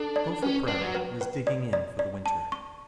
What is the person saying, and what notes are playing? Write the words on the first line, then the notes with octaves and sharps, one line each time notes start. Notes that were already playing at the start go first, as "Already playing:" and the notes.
GOPHER PRAIRIE was digging in for the winter.
Already playing: D4 A4
D5
C#4 B4
D4 B4
F#3
B4
B4
D5
D5
D5
A5
C#6